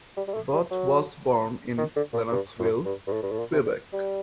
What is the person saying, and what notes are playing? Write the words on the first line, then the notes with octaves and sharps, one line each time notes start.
Abbott was born in Lennoxville, Quebec.
G3
G3
A3
G3
F#3
D#3
D3
A#2
G2
F#2
G2
G2
A2
G2
A2
A#2
C3
D3
G3